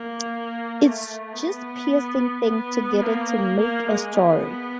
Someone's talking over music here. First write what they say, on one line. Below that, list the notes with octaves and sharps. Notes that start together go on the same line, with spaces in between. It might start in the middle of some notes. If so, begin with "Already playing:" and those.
It's just piecing things together to make a story.
Already playing: A#3
A3
B3
B3
A#3
A#3
G#3
B3